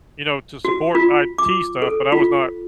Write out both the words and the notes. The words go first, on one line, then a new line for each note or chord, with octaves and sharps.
you know, to support IT stuff, but I was not
F#4
F4
D6
A4
F4